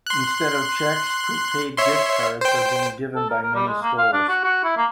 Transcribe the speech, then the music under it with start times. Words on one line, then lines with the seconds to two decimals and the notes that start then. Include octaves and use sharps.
Instead of cheques, prepaid gift cards are being given by many stores.
0.07 C6 F#6
1.78 C#5 E5 C6
2.41 C5 G5
3.15 A4
3.30 A#4
3.42 A#4
3.55 G3
3.68 G#3
3.82 A#3
3.98 F5
4.13 D4
4.28 F#4
4.44 F#4
4.64 E4
4.77 A#3